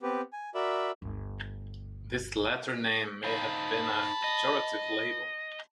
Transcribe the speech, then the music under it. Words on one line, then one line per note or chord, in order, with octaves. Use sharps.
This latter name may have been a pejorative label.
B3 C4 G4 B4
G#5
F#4 A#4 D5 E5 B5 E6
G1 D2
D#4 C5 F5 A5 B5
D#5